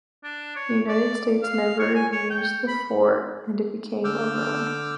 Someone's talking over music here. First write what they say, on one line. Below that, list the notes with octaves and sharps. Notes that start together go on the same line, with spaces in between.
The United States never used the fort and it became a ruin.
D4
C#5
D5
F5
C#5
G#5
C#5
G5
B5
D3 D6 E6 F6 G6